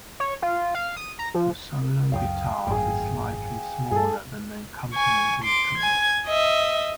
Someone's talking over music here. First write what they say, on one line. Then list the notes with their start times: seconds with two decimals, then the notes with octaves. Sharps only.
The solo guitar is slightly smaller than the accompanying instruments.
0.20 C#5
0.42 F4
0.75 F5
0.97 D#6
1.19 A#5
1.34 F3
2.12 C#2 F#2 F5 G5 D#6
2.67 G#1 F#2 A2 G#4 G5
3.91 G2 G#4 A4
4.94 G#5 C#6
5.44 C6 D6
5.78 G#5 G#6
6.26 D#5 E5